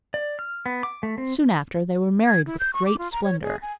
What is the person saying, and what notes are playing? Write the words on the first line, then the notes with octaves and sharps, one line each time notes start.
Soon after, they were married with great splendour.
D5
F6
B3
D6
A3
C4
G#6
E4
G6
C#6
D6
F4
A#5
C#5
G#4
G#5